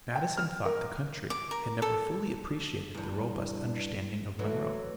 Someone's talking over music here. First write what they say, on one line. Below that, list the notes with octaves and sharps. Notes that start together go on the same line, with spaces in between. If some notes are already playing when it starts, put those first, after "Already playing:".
Madison thought the country had never fully appreciated the robust understanding of Monroe.
G5
F6
A#4
D6
A#4
A4
E2 G2
E3 F#3 A3